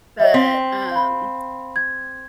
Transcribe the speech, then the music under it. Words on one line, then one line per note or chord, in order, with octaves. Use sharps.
but, um,
C#5 D#5 E5
C4 B6
F5 B5
G#6